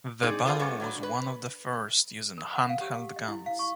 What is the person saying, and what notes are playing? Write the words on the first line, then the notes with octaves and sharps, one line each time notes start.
The battle was one of the first using hand-held guns.
C4 D#4 G#4 D5
B3 F4 G#4 A4 C5
G3 A3 B3 C#4
F#3 G3 D4
B4
A#4
F#5
F5
G4
D#5
E4
F5
C#6